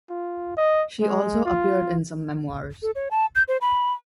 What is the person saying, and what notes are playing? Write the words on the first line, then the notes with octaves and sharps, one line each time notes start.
She also appeared in some memoirs.
F4
D#5
G#3
F4
A4
C#5
A5
G6
C5
B5